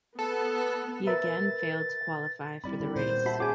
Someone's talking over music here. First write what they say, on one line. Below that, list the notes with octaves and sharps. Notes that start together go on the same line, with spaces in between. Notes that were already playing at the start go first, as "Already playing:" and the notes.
He again failed to qualify for the race.
B3 A4
A#4 B4 E5 A6
G3 C4 E4 D5 B5
D#3 G4 A#4
A#2 B3 C5
G6
F#4 E5 A5 B5
B3 C#4 F#4 G#4 C#5 G#5 D6